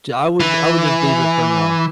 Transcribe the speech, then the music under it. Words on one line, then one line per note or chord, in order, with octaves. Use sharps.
Ju I would I would just leave it for now.
E3